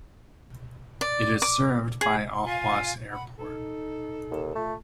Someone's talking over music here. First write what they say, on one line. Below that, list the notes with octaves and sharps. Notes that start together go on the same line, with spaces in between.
It is served by Ahuas Airport.
D5
D6
G#4
F4 F5 G#5
F#5 B5
D#4 A4
D#2
A3 F4